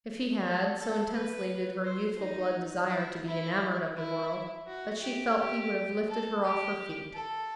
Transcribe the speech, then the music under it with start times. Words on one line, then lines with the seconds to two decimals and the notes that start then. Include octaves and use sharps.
If he had, so intensely did her youthful blood desire to be enamoured of the world, that she felt he would have lifted her off her feet.
0.43 A4
0.79 A4
1.14 B4
1.84 C5
2.19 D#4
2.90 E4
3.26 E4
3.97 E4
4.67 F#4
5.02 G4
5.38 G4
6.08 A4
6.44 G4
7.14 A4